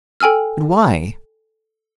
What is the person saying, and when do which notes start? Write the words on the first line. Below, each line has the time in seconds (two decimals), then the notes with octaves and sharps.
And why?
0.20 A4 G5 G#5 E6 F6